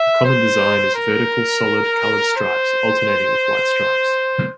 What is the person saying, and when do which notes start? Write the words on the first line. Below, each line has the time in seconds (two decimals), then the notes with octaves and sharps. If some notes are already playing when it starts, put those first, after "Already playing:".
A common design is vertical solid colored stripes alternating with white stripes.
Already playing: E5
0.25 C5
0.95 A#4
2.37 C5